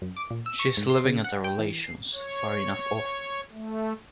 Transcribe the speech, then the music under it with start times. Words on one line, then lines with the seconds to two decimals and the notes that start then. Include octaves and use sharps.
She’s living at a relation’s, far enough off.
0.02 F#2
0.17 D6
0.30 A#2
0.46 E6
0.59 C#6
0.77 G#2
0.90 C6
1.05 C#3
1.24 F#5
1.44 G5
1.59 E3
1.83 C7
2.14 C#5
3.52 A3